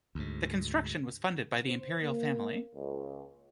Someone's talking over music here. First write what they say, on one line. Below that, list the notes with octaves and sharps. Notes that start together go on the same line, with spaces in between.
The construction was funded by the imperial family.
D2 G#2
C5
A#3
C#2